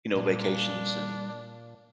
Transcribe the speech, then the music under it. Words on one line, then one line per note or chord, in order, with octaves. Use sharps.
you know, vacations, and
A#2 G3 D4